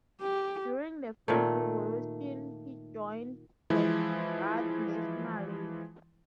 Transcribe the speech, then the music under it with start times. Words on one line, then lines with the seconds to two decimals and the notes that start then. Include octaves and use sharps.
During the French Revolution, he joined the "Garde Nationale".
0.21 G4
1.28 A#2 D#3 A3
3.70 E3 F3 G#3 E4